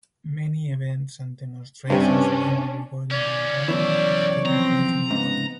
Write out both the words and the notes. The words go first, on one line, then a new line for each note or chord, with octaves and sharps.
Many events and demonstrations mainly regarding the environment have taken place in the park.
G2 C3 C#4 D4
D#2 C#4 D5
F#2 B2 E3 G3 C#5 D5 E5
F3 C4 A#5
G#2 C#3 B3